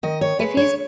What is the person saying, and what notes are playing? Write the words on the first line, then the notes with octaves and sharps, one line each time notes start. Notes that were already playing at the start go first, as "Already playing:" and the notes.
if he's
D#3 D#5
C#5
G#3 B4
C#5